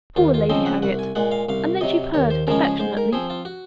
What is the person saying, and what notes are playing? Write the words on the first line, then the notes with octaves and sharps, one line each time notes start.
"Poor Lady Harriet!" and then she purred affectionately.
D#2 F4
F4
C#3 F3 C4 D#5
F#5
C2 F#5
G#5
A#2 G#3 F#5
F5
C2 F5
C3 F#3 D#5
D#2 C#5
C5
C#3 F3 G#3 C#4 A#4
G#4
G#2 C5
A#4
F3 C4 G#4
F4
F#4